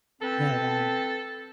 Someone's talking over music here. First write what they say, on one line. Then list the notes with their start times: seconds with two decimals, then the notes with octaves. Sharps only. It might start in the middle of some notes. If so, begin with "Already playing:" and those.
But, um
0.22 C4 A4 B4 A5